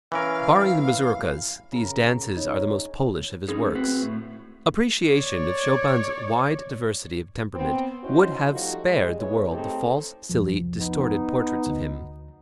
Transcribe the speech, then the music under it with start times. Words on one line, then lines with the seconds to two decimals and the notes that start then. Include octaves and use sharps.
Barring the mazurkas, these dances are the most Polish of his works. Appreciation of Chopin's wide diversity of temperament would have sparedthe world the false, silly, distorted portraits of him.
0.12 E3 C#4 A#4 F5
1.72 C#3 A#4
2.37 D#4 C#5
3.48 C#4 D#4 G#4
3.63 A3
3.75 C4 F#4 B4
4.02 A2
5.12 C#5 D5
7.55 B3 C4
8.02 C#4 D#4 E4 F#4 C5
8.52 F3 G3 A3 D#4 F4 F#4
8.86 G3 G#3
9.19 G#2 E3 G#3 B3 G#4 C#5
9.51 A3 C4 D#4 G4 A4
10.29 C2 F2 F3
10.79 B3 D#4
11.66 D2